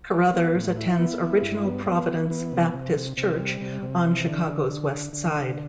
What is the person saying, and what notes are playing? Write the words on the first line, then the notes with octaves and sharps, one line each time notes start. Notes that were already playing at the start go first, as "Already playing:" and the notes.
Carothers attends Original Providence Baptist Church on Chicago's west side.
F4
B3
A2
E4
B3
E4
G2
B3
B3
E3
B3
C3
C3
C3
C3
G3
C3
C3
E3
D3
D3
D3
D3
D3
D3